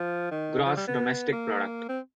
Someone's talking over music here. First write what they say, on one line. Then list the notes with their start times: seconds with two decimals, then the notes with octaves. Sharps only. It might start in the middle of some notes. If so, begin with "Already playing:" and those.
Gross Domestic Product.
Already playing: F3
0.31 D#3
0.65 F3
0.77 G3
0.87 B3
1.32 A#3
1.89 C4